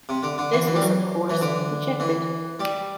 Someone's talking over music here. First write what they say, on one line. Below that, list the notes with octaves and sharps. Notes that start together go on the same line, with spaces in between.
This was of course, rejected.
C3
D3
D3
E3
E3
G3
F#3
E3
D3
E3
G3